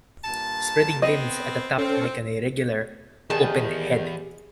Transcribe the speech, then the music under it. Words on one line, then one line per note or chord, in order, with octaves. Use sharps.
Spreading limbs at the top make an irregular, open head.
G2 A#2 A5
B3 C4 D#5
C4 C#4 A4
E2 D#3 G4 G#4 A5